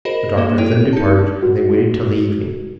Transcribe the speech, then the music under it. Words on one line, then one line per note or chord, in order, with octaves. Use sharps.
The doctor then departed, and they waited till the evening.
F#4 G#4 A#4 C5 D#5 B5
A#3 F#4 A4
E4 C#5 G5 D7 D#7
D#4 A5
F#4